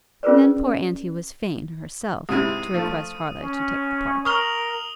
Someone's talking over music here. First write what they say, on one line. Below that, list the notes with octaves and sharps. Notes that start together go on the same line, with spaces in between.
And then poor aunty was fain, herself, to request Harleigh to take the part.
C#4 F4 G#4 A#4 B4 D5
G#2 C3 E4 D#6 D#7
F3 A3
C#4
A#4 C#6 D#6 F6 F7 G7